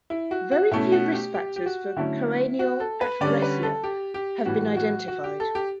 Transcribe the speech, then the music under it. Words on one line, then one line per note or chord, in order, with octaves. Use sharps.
Very few risk factors for choanal atresia have been identified.
E4
F#4
F#4
B2 A3 C#4 E4
F#4
G4
G4
G4
F#4
D3 F#3 A3 C#4 E4
F#4
A4
B4
D3 G3 C#4 D5
B4
A4
G4
G4
A2 E3 G3 F#4
F#4
F#4
G4
A4
G4